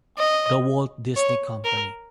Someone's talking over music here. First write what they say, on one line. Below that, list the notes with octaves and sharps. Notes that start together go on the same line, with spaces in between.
The Walt Disney Company.
D#5
C#5
A#4